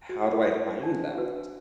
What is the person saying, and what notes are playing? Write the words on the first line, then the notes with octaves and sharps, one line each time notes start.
"How do I find that?"
F#4
A4 C5
D4 A5
F#4 B4